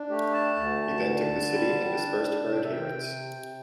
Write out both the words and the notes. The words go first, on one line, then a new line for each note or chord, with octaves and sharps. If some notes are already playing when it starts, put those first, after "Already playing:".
He then took the city and dispersed her adherents.
Already playing: D4
A3 G4
A5
D2
D3
G3
D4
C3 A5
G5
E5
G5
C3
C3